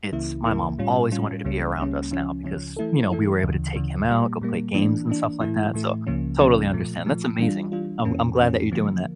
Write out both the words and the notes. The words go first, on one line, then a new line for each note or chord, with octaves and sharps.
it's my mom always wanted to be around us now because, you know, we were able to take him out, go play games and stuff like that, so, totally understand. That's amazing. I'm I'm glad that you're doing that.
C#2 C#3 E3 A#3 E4
C#2 C#3 E3 A#3 E4
A2 G3 C#4 F4
A2 G3 C#4 F4
C#2 C#3 G3 A#3 C#4
C#2 C#3 G3 A#3 C#4
C#2 C#3 F3 C#4
C#2 C#3 F3 C#4
E3 A3 E4 A4
E3 A3 E4 A4
D2 C#3 E3
D2 C#3 E3
A#2 G3 A#3
A#2 G3 A#3
E3 A#3 D4
E3 A#3 D4
A2 E3 A3 E4
A2 E3 A3 E4
C#2 C#3 F3 A#3 C#4
C#2 C#3 F3 A#3 C#4
A#2 F3 A3
A#2 F3 A3
E3 G3 D4 F4
E3 G3 D4 F4
F2 E3 A#3 C#4
F2 E3 A#3 C#4
D3 F3 A#3